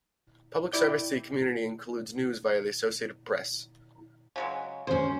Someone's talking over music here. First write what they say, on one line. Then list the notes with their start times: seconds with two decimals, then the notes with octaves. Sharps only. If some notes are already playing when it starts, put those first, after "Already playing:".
Public Service to the community includes news via the Associated Press.
0.72 E4 D5 G5
4.36 C#3 F#3 G#3
4.87 D#2 C#4 C5